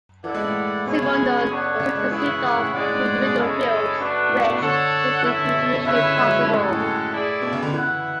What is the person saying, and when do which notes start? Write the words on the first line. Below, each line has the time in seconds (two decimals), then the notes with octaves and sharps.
Simondon also conceived of "pre-individual fields" which make individuation possible.
0.24 E3 E4 A4 D5 F#5
0.34 G#3
0.44 A2
0.86 B2 G#3 C#4 E4 G#4 C#5
1.02 C#3
1.49 B3 D4 A4 C#5 F#5
1.80 C#3
1.95 G#3
2.11 E3 E4 G#4 C#5 F#5
2.27 C#3
2.42 C#3
2.58 A2
2.74 A2 G#3 C#4 G#4 D5 F#5
2.84 A2
2.95 G#2
3.05 A2
3.21 B2
3.36 C#3 G#3 C#4 E4 A4 C#5
3.99 A3 D4 F#4 B4
4.29 A2
4.41 A2
4.46 B2
4.61 D3 D4 A4 C#5 F#5
5.23 E3 C#4 E4 A4 E5
5.39 D3
5.54 B2
5.75 B2
5.85 C#3 C#4 E4 B4 E5
5.96 D3
6.18 G#3
6.27 F#3
6.38 E3
6.44 G#2
6.48 A2 G#3 C#4 F#4 A4
6.69 A2
6.80 A2
7.11 E4 G#4 D5
7.42 B2
7.53 C#3
7.63 D3
7.73 E3 E4 B4 F#5